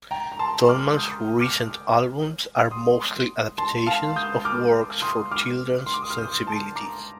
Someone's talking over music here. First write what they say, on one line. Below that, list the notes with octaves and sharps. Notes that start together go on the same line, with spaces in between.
Tallman's recent albums are mostly adaptations of works for children's sensibilities.
G5 A#5
A#5
A5 C6
D6 F6
D#6 G6
D6 F6
C6 D#6
A5 C6
F5 A5
D#6 G6
D6 F6
C6 D#6
D6 F6
C6
D6
D#6
F6
D#6 G6
A5 C6
A#5 D6